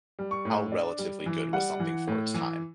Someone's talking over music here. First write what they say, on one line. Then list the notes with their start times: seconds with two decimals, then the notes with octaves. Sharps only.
"How relatively good was something for its time?"
0.19 G3
0.31 C#6
0.45 A2
0.72 D4
0.98 G3
1.26 E3
1.53 G3 F#5
1.80 E3
2.08 A2
2.34 E3